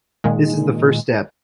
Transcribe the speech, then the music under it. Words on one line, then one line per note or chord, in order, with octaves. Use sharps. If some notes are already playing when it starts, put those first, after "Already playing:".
This is the first step.
A#2 D#3 G#3